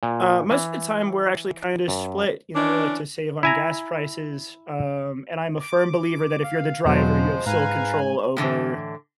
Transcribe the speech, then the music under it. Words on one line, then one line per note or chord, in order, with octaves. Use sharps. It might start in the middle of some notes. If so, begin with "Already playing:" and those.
Uh, most of the time, we're actually kinda split, you know, we like to save on gas prices, um, and I'm a firm believer that if you're the driver, you have sole control over
A#2
E3
F#2
E3 C#4 D4
E4 G#5 A#5
D6
F5
E2 B2 F3 F#3 G#3 C5
G#2 B4 F5 G#5 A#5
A2 D3 E3